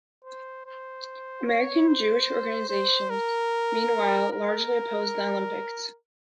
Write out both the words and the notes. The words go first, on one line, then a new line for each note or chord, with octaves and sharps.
American Jewish organizations, meanwhile, largely opposed the Olympics.
C5
C5
C#5
C5
C5
A#4
A#4